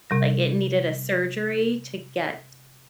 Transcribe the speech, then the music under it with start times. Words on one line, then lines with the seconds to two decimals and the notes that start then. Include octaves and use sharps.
Like, it needed a surgery to get
0.10 C3 G3 A#6